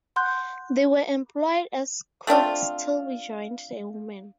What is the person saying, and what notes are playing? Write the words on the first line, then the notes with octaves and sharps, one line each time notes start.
They were employed as cooks till we joined the women.
F#5 C6 F#6 G6
A3 C4 D4 F4